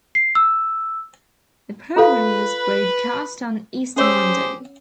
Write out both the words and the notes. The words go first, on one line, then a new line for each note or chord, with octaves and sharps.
The programme was broadcast on Easter Monday.
C7
E6
F4 A4 B4 F5
C#4 G4 G#4 C5 C#5 E6